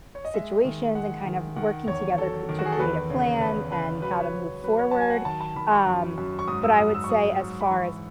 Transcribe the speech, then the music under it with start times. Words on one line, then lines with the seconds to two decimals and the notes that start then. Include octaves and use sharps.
situations and kind of working together cr to create a plan and how to move forward. Um, but I would say as far as
0.15 C#5
0.25 D#5
0.34 G#3 E5
0.65 D#3
0.95 G#3 F#5
1.26 D#3
1.56 D#3 F#5
1.87 E2 C#5
2.18 F#3 A4
2.49 D#3
2.59 F#4
2.66 G#4
2.72 A4
2.79 E2 B4
3.10 C#3
3.40 E2 B4
3.71 C#3 B4
4.02 F#3 B4
4.11 C#5
4.20 B4
4.33 F#3
4.64 F#3 B4
4.79 C#5
4.91 F#3 A5
5.00 G#5
5.10 F#5
5.25 D#3 A5
5.41 A5
5.56 D#3 B5
5.71 C#6
5.87 F#2
6.18 F#2
6.39 C#6
6.48 G#2 D#6
6.63 E6
6.78 G#2 D#6
6.94 E6
7.04 C#6
7.09 F#3 D#6
7.41 G#2
7.61 B5
7.71 E3 C#6